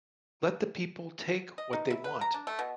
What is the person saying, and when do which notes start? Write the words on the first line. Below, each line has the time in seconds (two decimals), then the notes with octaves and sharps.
Let the people take what they want.
1.58 D#5
1.73 D#4
1.91 E4
2.04 B4
2.21 A#5
2.34 D4
2.47 A3
2.59 B2